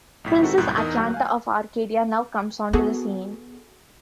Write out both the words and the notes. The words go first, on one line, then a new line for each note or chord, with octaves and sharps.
Princess Atalanta of Arcadia now comes on to the scene.
B1 A2 B6
D#3 G#3 C4 D#4 F#4 A4
C2 F#2 A2 F#6 G6
E2 D#4 A#4 D#6
D2 F#3 A3
F5 G#5
B3 F#4 G#4 A4